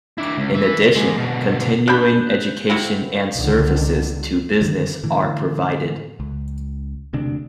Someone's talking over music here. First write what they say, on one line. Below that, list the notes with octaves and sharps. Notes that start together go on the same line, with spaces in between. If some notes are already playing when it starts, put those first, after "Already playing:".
In addition Continuing education and services to business are provided.
D4 E4
C#2
B4 E5
D3 G#3
B2 D3
D4 B5 F#6 G6
C3 E4 F#4
C#2 D3 D#3
F#2 D3 D#3 G3
A2 D3 E3
C#2
E1 D2 C3 D4